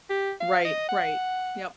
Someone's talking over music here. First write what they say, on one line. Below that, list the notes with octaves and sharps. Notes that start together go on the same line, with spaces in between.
Right, right. Yep.
G4
F5
D#5
F#5